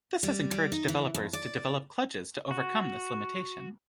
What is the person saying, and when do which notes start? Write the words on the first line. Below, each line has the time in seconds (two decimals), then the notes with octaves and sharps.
This has encouraged developers to develop kludges to overcome this limitation.
0.23 G3
0.51 G3
0.72 D#4
0.88 E3
1.14 F2
1.33 D5
2.51 F#4